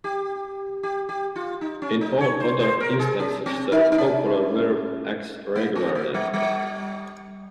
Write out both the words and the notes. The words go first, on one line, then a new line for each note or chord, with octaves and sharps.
In all other instances the copular verb acts regularly.
G4
G4
G4
F4
D#4
C#4
D#4
C#5
C5
C5
A#4
G#4
C#4
C4
D#4
D#4
C#4
A#3
C4
A#3
G3
G3